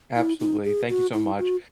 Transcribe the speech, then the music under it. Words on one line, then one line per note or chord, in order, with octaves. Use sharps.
Absolutely. Thank you so much.
E4
D#4
G#4
F#4
E4
F#4